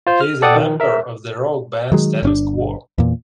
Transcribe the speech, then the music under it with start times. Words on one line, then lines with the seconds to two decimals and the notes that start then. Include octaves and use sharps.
He is a member of the rock band Status Quo.
0.07 F4 C5
0.21 F6
0.42 A4 D5 F#5 G5 D#6
0.56 D#3
0.80 A#4 E5
1.92 D#3 F#3 G#3
2.23 G1 C#4 D4
2.98 E2 A#2